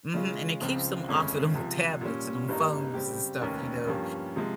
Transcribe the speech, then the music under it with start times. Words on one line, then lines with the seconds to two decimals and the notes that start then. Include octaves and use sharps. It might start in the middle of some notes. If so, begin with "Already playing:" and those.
Mhm, and it keeps them off of them tablets and them phones and stuff, you know?
0.14 C#3 G#3 C#4 F4
0.60 C#2 C#3 F3 C4 F4
1.08 G1 F2 C#3 G#3 C#4
1.54 C#2 C3 F3
2.01 A#2 G3 C#4
2.48 G#1 G2 G3 A#3 D#4
2.94 C#3 G3 C4 G4
3.41 F1 D#2 D#3 A#3 C#4
3.87 G2 F3 A#3 C#4 G4
4.36 C3 F3 G#3